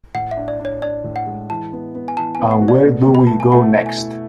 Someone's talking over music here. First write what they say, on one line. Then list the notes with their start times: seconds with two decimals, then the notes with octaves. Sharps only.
And where do we go next?
0.15 A2 F#5
0.31 E5
0.37 D4
0.48 D5
0.60 D4
0.65 C#5
0.82 D4 D5
1.04 A2
1.16 F#5
1.27 G#3
1.50 E3 A5
1.73 B3
1.95 B3
2.08 G#5
2.17 E3 A5
2.35 G#5
2.39 B3
2.51 F#5
2.62 F#4
2.68 D5
2.85 B2
3.08 B2
3.15 B5
3.27 A3 A5
3.40 G#5
3.52 A3 F#5
3.75 E4
3.86 G#5
3.97 E4